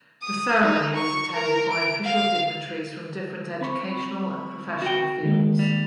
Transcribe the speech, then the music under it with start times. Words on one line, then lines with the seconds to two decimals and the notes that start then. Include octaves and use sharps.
The ceremony was attended by official dignitaries from different educational and professional fields.
0.23 D#6
0.62 D#4
0.96 C#6
1.32 A#4
1.73 D7
2.05 F5
3.61 C4 B5 C#6
4.82 F#4 G5
5.23 D#3 G#3 A#3
5.59 G3